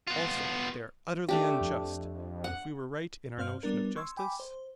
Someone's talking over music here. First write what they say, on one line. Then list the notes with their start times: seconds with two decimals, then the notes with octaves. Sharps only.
Also they are utterly unjust, if we were right in our notion of justice?
0.07 B3 F4
1.29 A3 D4 G4
1.61 F2
2.44 F#5
3.38 G2 C4 C5 F5 F6
3.63 G3 B3 D4 A#4
3.96 C6 C#6 E6 G#6
4.17 G5 G#5 B5 D6
4.40 C5